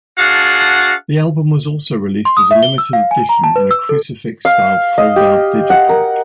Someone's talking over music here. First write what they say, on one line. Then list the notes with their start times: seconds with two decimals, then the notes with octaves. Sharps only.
The album was also released as a limited edition in a crucifix-style fold-out digipak.
0.18 D4 F#4 G#4 F5 F#5 A5
2.25 C6
2.37 D#6
2.51 E5
2.63 G7
2.78 E6
2.93 F5
3.11 G#5
3.29 A#5
3.44 A5
3.56 B4
3.71 E6
3.89 A4
4.45 F5
4.98 D#5
5.16 G4
5.70 F#5
5.89 A#4